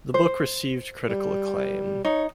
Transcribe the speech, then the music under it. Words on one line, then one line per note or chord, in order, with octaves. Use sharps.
The book received critical acclaim.
C5
G3
D#4 C#5